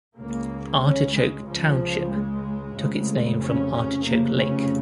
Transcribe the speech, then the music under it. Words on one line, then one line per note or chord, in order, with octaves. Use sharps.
Artichoke Township took its name from Artichoke Lake.
C#2 C#3 A#3
C#4
G#3
C#2 C#3 F3
G#3
F1 F2 C#3
C#4
C#4
F1 F2 C#3 A#3
C#4